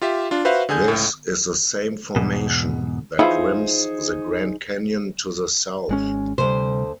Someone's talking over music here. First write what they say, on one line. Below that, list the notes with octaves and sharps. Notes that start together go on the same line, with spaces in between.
This is the same formation that rims the Grand Canyon to the south.
F4 G4 E5
D4 F4
F#4 B4 C5 E5 F5
D3 G#4 G#5 G6
C#2 A2
E2 G#2 B2
E3 F3 D#4 E4 G#4 C5
G#1 G#3 C#4
D2 C3 G3 C5